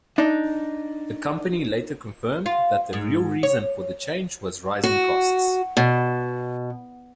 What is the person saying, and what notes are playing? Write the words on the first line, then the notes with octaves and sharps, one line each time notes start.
The company later confirmed that the real reason for the change was rising costs.
D4 D#4
F4
G#2
C#5
F#4
B2